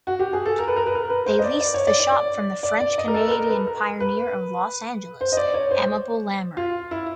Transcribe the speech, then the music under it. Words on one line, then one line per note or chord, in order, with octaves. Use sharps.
They leased the shop from the French Canadian pioneer of Los Angeles, Amable Lamer.
F#4
G4
G#4
A4
A#4
B4
A#4
B4
A#4
B4
C5
D#5
D5
D5
C#5
D5
D5
D5
D5
D5
D#5
A#4
A4
B4
A#4
B4
A#4
B4
C5
D#5
D5
C#5
C5
F4
E4